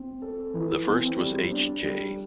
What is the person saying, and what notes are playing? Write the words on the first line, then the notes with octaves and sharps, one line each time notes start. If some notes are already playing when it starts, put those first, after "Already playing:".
The first was H. J.
Already playing: C4
A4
E3
C4
G3
D4
G3